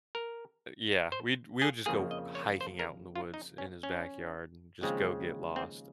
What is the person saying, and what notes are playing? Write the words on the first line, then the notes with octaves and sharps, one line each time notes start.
uh, yeah, we'd we would just go hiking out in the woods in his backyard, and just go get lost,
A#4
C5
G#4
F2 C#3 F3 A#3 G#4
D#5
C#5
C5
A#4
F4
D#4
C#4
C#4
D#2 C#3 F3 G#3 C4
C4